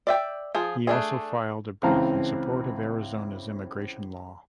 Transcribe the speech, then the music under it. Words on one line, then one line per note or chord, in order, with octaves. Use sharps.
He also filed a brief in support of Arizona's immigration law.
D5 E5 G5
F3 G#4
A3 D4 G#4
C#2 E3 C4 F5 A5 A#5